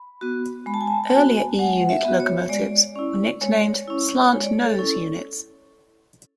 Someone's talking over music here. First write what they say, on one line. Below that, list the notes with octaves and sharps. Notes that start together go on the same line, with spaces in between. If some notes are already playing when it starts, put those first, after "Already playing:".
Earlier E-unit locomotives were nicknamed "slant nose" units.
Already playing: B5
B3 F#4
G#3 B5
A5
G#5
A5
A5
B3 F#4 G#5
G#3 F#5
E5
B3 F#4
C#5
G#3 D5
C#4 E4
G#3 C#5
C#4 E4
G#3 C#5
D5
C#5
A4
C#4 E4